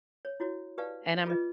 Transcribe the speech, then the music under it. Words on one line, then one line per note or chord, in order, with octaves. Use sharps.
and I'm a
C#5
E4 F#4 C#5
G4 B4 D5 F5 A5
F4 G#4 B4 D#5